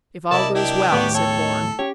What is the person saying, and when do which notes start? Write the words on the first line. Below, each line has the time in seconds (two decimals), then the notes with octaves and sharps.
"If all goes well," said Bourne.
0.31 C2 E4 A#4 D5 D#5 A5
0.55 D4 E4 G4
0.92 D#2 A2 B3 C#6
1.15 A4 C#5 G5
1.79 C#4 G4 C#5